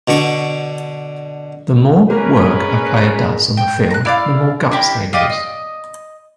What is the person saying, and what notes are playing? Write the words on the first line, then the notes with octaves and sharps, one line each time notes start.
The more work a player does on the field, the more guts they lose.
B2 D3 D4 C#6
G#3 A#3 C#4 A#4 B4
G5
A#5 F#6
E4 D5 F5
D4 E4 G4 A#4
F4 G4 D5 D#5
D#5